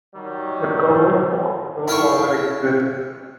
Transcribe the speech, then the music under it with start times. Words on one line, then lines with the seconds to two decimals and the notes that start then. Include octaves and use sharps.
The covered walk no longer exists.
0.14 D#3 F#3 G3
1.88 E4 F5 G5 A5 C#6